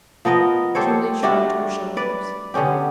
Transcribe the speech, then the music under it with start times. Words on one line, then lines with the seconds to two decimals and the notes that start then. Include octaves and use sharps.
Julie shrugged her shoulders.
0.25 F3 B3 A#4 D#5
0.75 G4 A4 C5 C#5
1.23 G3 A3 D4 F#4
1.97 B4 D5
2.54 D3 B3 C#4 G4